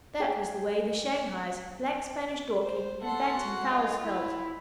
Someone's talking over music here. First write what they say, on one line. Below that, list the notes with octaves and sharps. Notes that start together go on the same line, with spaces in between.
That was the way the Shanghais, Black Spanish, Dorking, and Bantam fowls felt.
G#4 C#5 G5 G#5
C5
A4 F#5 C6
F#4
G#3 F4
E4